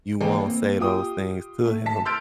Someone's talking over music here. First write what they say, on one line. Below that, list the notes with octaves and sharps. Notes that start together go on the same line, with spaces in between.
you won't say those things to him,
A1 G#3 A#3 G5 G#5
A#3 C4
F4 G4 G5 D#6
A3
A5 B6
C6 E6 F6 G6 A6 D7